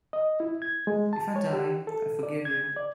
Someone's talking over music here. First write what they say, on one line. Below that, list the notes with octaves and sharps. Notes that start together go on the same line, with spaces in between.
If I die, I forgive you.
D#5
E4
G#6
G#3
A5
C#5
G4
A4
D5
G#6
D5